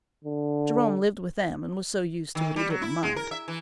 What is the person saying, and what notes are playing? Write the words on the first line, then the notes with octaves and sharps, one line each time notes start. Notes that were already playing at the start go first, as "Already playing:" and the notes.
Jerome lived with them and was so used to it he didn't mind.
D3
D#3
G3
F#3
E4
G#3
A#4
E5
E3